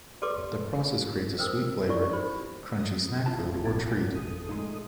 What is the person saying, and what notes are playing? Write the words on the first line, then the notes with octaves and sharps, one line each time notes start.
The process creates a sweet flavored, crunchy snack food or treat.
G4 A4 B4 D5 C6 D6
D#4
A#4 C5 G5 D#6 E6
D4 E4 F#4 D5 C#6
D#4 G4 C5 B5
D#6
D3 E4 F4 A5
B1 B2 G#5 A5 D6
G#1 F2 G#4 A4 D#6
A#2 G#3 A3 D#4 C6